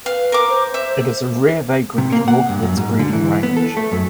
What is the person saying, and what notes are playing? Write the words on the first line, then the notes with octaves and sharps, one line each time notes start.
It is a rare vagrant north of its breeding range.
B4 F5
A#4 D6
C5
E5
C3
A#3
F#5
G2
F#2
G#2
D3
E3
B3
A4
A3
F#2